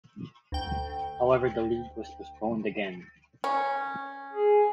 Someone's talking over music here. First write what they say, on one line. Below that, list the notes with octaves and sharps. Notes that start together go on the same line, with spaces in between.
However the league was postponed again.
D2 G5
C#4
G#4